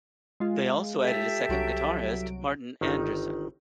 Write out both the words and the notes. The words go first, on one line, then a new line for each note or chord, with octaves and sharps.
They also added a second guitarist, Martin Andersson.
G#3 F4
G4 A4 E5
C2 F#3 D7
G1 D#3 D#4